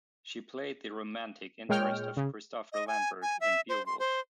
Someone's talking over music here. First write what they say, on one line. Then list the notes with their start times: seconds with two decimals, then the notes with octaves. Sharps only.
She played the romantic interest of Christopher Lambert in "Beowulf".
1.69 A#2 G#3 C#5 G5 F6
2.17 C#3
2.73 D#5
2.88 G#5
3.22 G#5
3.41 E5
3.69 C5
3.86 C6
3.99 C5